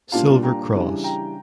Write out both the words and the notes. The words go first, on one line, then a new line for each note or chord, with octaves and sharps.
Silver cross.
A#2 G3 D4 F4 F5 A5
G5 A#5
C#3 E3 G3 D4
G5 A#5